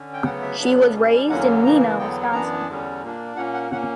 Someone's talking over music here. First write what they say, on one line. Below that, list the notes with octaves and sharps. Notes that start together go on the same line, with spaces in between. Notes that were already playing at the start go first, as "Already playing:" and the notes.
She was raised in Neenah, Wisconsin.
Already playing: D3 C#4
G5
D2 C#3 F#3 B3 F#5
E5
C#3 F#3 B3 D4
B2 G3 C#4
E2 D3 F#3 A#3 C#4 F#5
C#3 E3 A#3 A#5
E2 D3 F#3 B3 G5
F#2 E3 B3 D4 A#5
E2 D3 G3 C#4
A#2 A#3 D4
A#2 A#3 C#4 F#5
F#5
A#2 A#3 C#4 F#5